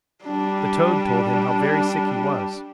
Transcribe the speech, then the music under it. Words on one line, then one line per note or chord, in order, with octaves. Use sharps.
The toad told him how very sick he was.
G3 D4